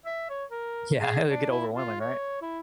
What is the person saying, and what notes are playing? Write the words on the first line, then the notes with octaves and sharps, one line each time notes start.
Yeah, it would get overwhelming, right?
E5
C#5
A#4
G#4
D4
E4
F4
C#5
E4